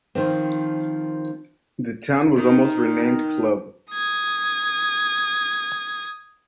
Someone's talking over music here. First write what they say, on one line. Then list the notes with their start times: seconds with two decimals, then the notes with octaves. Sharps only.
The town was almost renamed Clubb.
0.15 D#3 F3 C4
2.38 D#3 D#4
3.91 D#6 G#6